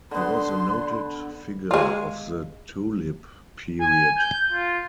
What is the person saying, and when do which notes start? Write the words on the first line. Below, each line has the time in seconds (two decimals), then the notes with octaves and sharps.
He was a noted figure of the Tulip period.
0.11 D3 B3 C6
1.71 G#3 F4
3.80 G#5
4.17 G6
4.52 F4